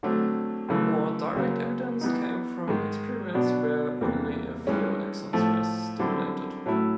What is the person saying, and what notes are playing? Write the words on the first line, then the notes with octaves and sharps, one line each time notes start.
More direct evidence came from experiments where only a few axons were stimulated.
D3 F#3 A3 C4
F#2 C#3 E3 A3
F#2 C#3 F#3 A#3
E3 G3 B3 D#4
G#2 D#3 G#3
B2 F#3 B3 D4
E2 C3 E3 G3 A#3
G2 E3 G#3 C#4
A2 F3 A3
F#2 D3 G3 C4 E4
A2 F#3 A3 C#4 E4